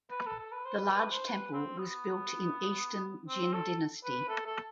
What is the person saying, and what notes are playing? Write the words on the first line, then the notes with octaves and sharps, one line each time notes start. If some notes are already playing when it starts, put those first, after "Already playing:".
The large temple was built in Eastern Jin Dynasty.
B4
A4
A4
B4
C5
B4
B4
C5
B4
C4
B3
C4
A4
B4
A4
A4